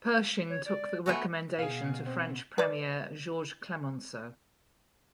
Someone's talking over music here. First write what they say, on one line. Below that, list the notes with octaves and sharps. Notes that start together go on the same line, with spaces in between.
Pershing took the recommendation to French Premier Georges Clemenceau.
C#5
D5
A3 B3 F#4 G#5
B2 G#4 F5
C4
B4 D5